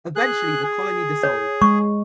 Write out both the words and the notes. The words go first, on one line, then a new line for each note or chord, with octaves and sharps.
Eventually the Colony dissolved.
G#4 F#6
G#4
C#5
G#3 C#6